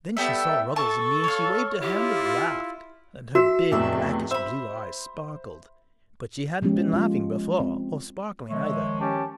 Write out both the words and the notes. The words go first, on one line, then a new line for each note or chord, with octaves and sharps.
Then she saw Ruggles and me and she waved her hand and laughed, and her big blackish-blue eyes sparkled; but she hadn't been laughing before, or sparkling either.
G3 B3 G4 A4 E5 G5
A4 A5 C#6
C#5 F5
E4 F4 G4
F#4 E5
F1 E2 A2 D5 E5
C5 E5 B5
F3 G#3 B3 C#4 G4
G#3 F4
C4
D#3 F3 G#3 C#5 E5
C#4 G4 A5